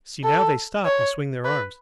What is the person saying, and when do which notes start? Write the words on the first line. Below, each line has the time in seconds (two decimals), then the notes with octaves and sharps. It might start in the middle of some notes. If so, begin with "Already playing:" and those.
See, now they stop and swing their arms!
0.24 A4
0.85 C#5
1.45 B4